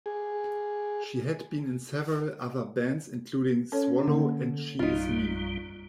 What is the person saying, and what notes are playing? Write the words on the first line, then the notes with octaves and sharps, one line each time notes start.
She had been in several other bands including "Swallow" and "She Is Me".
G#4
C#4 A4 C#5
D3 A#3
A#1 F#2 G3 D#4 F4